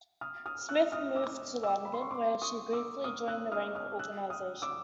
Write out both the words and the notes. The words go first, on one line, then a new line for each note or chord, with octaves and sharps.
Smith moved to London, where she briefly joined the Rank Organisation.
D#6 F6
D#6 F6
E6 F#6
D#6 F6
D6 E6
D6 E6
B5
C6
C#6
C6 D6
C#6 D#6
D6 E6
D#6 F6
E6 F#6
D#6 F6
D#6 F6
E6 F#6
D#6 F6
D6 E6